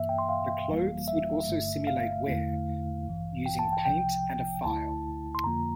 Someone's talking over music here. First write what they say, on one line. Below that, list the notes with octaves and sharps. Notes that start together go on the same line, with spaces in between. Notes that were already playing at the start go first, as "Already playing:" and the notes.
The clothes would also simulate wear using paint and a file.
Already playing: G2 E3 A#3 E5
G5
C6
F5
G1 F2 E3 G3 A#3
E5
G1 G2 D3 A3
F5
E2 D3 A3 E4
A1 G2 E3
G5
A5
G5
C2 C3 F3 G5
D2 D3 A3 E4 A5
C6
F2 D3 F3 A#3 F4 A#5